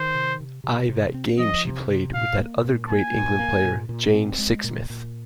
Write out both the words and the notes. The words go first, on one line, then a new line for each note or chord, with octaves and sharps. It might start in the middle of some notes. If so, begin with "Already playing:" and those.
I that game she played with that other great England player Jane Sixsmith.
Already playing: D#3 C5
C3
C3
C3
C3
C4
F3 D#5
C3
C3
A#2 F5
A#3
A#2
A#3 G#5
A#2
A#3
A#2
A#2
C4
G#3
A#2
A#2